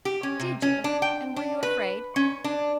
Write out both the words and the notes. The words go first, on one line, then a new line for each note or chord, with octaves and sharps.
"Did you? and were you afraid?"
G4
C#4
C3
C#4
D4
G5
D4
B4
C#4
D4